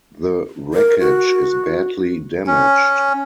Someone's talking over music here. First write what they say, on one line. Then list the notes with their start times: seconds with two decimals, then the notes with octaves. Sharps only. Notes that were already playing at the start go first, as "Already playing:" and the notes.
The wreckage is badly damaged.
0.74 A#4
1.00 F#4
2.47 C#4